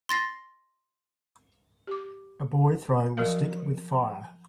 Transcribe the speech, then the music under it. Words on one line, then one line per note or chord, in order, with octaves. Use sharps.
A boy throwing the stick with fire.
C6 A6 A#6 C7
G4 D6
F3 F#3 F#4 A#4 F5